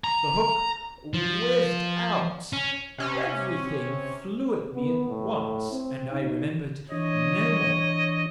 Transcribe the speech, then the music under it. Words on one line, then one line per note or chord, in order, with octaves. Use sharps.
The hook whizzed out, everything flew at me at once, and I remembered no more....
A#5
F3
C#4
C3 C#4
B3
A2
C4
D#4
E3 D4 C#5 D#5